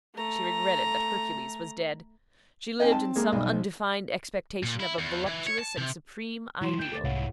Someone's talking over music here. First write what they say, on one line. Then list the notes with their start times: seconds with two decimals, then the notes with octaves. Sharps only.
She regretted that Hercules was dead. She lived in some undefined expectation of a voluptuous and supreme ideal.
0.15 A3 A#5
2.80 C4 D#5 G5 G#5
2.92 A5
3.16 G#3 A#3
3.32 B1 G3
3.50 F3
4.63 A#2
4.80 E4
4.99 E2
5.26 E3
5.47 C#5
5.59 A5
5.78 C3
6.62 E3 F#3 E4 C6 E7
6.79 D2 G5 G6 E7
6.92 A4 D6 A6
7.04 C2 G#2 E4 C#5 F5 F#5